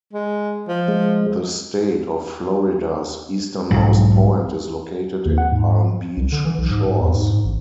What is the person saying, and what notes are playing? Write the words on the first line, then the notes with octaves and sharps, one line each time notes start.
The state of Florida's easternmost point is located in Palm Beach Shores.
G#3
F3
G#3
B1 G#2 F#3
D#2
F#5
G#2
C2
D3
E3
B1
G#2
G#2
E2
G#2
G#2
A1